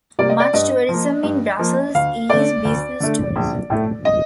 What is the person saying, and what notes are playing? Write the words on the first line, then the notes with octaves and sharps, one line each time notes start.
Much tourism in Brussels is business tourism.
C3 G3 A#3 D5
D#5
D5
G2 D#5
F3 A#3
G2
F3 A#3
D2 F5
D3 A3 D5
D2
D3 A3
A#1
A2 A3
D#5